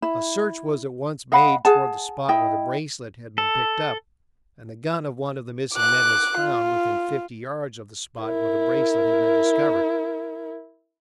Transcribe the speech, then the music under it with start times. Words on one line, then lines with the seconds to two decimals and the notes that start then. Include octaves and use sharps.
A search was at once made toward the spot where the bracelet had been picked up, and the gun of one of the missing men was found within fifty yards of the spot where the bracelet had been discovered.
0.02 E4
1.32 D#5 F5 F#5 B5
1.65 G#4 F#5 A5
2.29 E4 D#5 G5
3.38 A4
5.74 D6 F#6
6.37 F4
8.21 E4 A#4